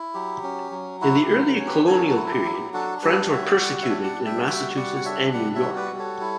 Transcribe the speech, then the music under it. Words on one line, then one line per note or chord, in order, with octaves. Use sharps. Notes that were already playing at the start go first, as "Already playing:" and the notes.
In the early colonial period Friends were persecuted in Massachusetts and New York.
Already playing: E4
F#3 G4
C#4
F#3
E4 F#4
G4
F#3
C#4 C#5
G4 B4
F#3 A4 C#5
F#4 A4
E4
A4
G4
F#3
G4
D4 F#4 A4
G3 G4 B4
F#4 C#5 E5
G3 D5 F#5
F#5
C#5 E5
D4
D5 F#5
G3
E5 G5
F#4 E5 G5
G3 D5 F#5
F#5
D4 C#5 E5
G3 D5 F#5
C#5 E5
F#4
B4 D5
G3
A4 C#5
E4